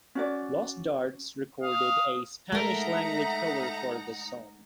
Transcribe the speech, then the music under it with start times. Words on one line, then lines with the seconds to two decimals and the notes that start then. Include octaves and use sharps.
Los Darts recorded a Spanish-language cover for this song.
0.15 C#4 F#4 D5
1.63 F5 D#6
2.52 G#3 A3 D#4 A4 A#4 E5 F#5 A#5